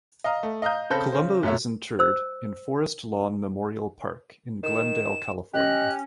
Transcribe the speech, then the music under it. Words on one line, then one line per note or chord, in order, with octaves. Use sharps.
Columbo is interred in Forest Lawn Memorial Park in Glendale, California.
D#5 F5 A#5 D#6
A3
D#5 F5 A#5 D#6 G6
C#3 C4 A4 B5 G6 A#6
C#3 C5
F#2 A2 A3 C#4 E5
C5 E6
D#3 E7
C#4 G4 D#5 F#6